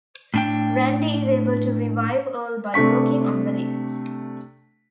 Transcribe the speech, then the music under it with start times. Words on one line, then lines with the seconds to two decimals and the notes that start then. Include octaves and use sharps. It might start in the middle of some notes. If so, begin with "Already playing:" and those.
Randy is able to revive Earl by working on the list.
0.34 A2 D4 G5
2.74 C3 A3 D4 C#6 B6